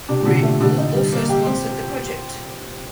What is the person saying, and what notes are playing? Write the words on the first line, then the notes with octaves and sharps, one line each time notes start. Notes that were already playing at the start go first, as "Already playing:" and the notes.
Red Bull also sponsored the project.
C3 D4
A#2
D3
C3
C3 A3
D3
D#4
G3
A#3
G4
C4